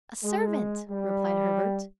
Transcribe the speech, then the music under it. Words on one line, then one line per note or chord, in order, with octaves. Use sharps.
"A servant!" replied Herbert.
G#3
G3